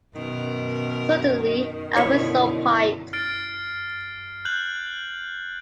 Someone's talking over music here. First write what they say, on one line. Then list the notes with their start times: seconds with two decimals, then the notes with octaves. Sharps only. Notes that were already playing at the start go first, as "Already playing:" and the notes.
Suddenly a whistle piped.
0.16 F#2 B2 D#3 A#4
1.97 F#2 B2 D3 E4 C#5
3.13 F6 A6 C7 D7
4.45 F#6 G6 F#7